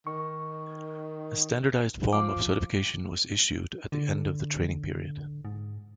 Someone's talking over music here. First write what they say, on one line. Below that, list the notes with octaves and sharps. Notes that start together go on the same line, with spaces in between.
A standardised form of certification was issued at the end of the training period.
D#3 C#6
F3 D6
D3
G#2